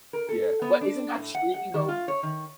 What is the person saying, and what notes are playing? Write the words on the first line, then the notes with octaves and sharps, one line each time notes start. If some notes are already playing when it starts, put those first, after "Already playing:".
Yeah, but isn't that streaming, though?
A#4
A4
B3
D4
A2
F#5
F#5
D#3
F4
C#5
D#3